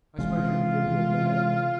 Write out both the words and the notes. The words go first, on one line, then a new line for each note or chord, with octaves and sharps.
I suppose you can give me a bed.'
C3 E3 G#3 F4
C3 E3 G#3